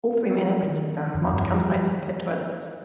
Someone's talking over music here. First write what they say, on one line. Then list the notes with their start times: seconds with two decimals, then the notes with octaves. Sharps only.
All three main entrances now have marked campsites and pit toilets.
0.38 F3
0.63 D#3
1.15 F2
1.33 G2
1.52 F3
1.72 G3